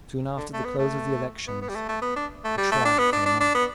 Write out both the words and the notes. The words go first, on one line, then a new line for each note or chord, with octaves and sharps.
Soon after the close of the elections the trial came on.
D3
A3
B3
A3
B3
B3
G3
A3
A3
B3
D4
A3
G3
A3
D4
B3
D4
D4
D4
B3